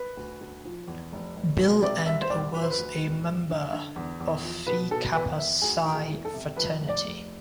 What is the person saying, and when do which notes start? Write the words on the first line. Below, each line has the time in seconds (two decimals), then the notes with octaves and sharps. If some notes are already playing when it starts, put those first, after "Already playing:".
Bill, and was a member of Phi Kappa Psi fraternity.
Already playing: B4
0.17 D2
0.41 D2
0.65 F3
0.87 E2
1.12 F1
1.36 F1
1.59 B2
1.82 C3 D5
2.06 C2 E5
2.21 C5
2.30 C2 D5
2.54 F3 B4
2.62 C5
2.70 B4
2.78 D2
3.02 E1
3.26 E1
3.49 D3
3.73 D3
3.96 E2
4.20 E2
4.43 F3
4.67 B2 B4
4.91 B2 A4
5.14 E2 B4
5.38 E2 E5
5.62 D2 G#4
5.85 E3
5.93 G#4
6.09 E1
6.25 A4
6.34 C3
6.57 F2 B4
6.80 F1
6.89 D5
7.04 F1